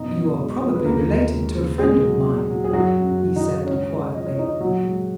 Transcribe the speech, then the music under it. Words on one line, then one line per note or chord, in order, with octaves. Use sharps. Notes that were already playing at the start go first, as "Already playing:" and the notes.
"You are probably related to a friend of mine?" he said, quietly.
Already playing: F#2 B2 D#4 D#5
F#2
G#3
F3
B4
D#2 A#3 A#4
D#2
G#3
C#3
A#2 G#3 G#4
F#3
A#2
F#3
G#4
F#2 F#3 F#4
F#2
C#4
F#3
D#3 D#4
C#3
C#2 C#4 C#5
G#3
F3 D#5
C#5
C#3 D#4 D#5
A#2 F#3 F#4
G#3